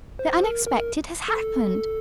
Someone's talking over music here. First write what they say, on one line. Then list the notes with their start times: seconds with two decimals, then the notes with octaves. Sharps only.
"The unexpected has happened!"
0.19 C5
0.44 A#4
0.67 A#4
1.28 A4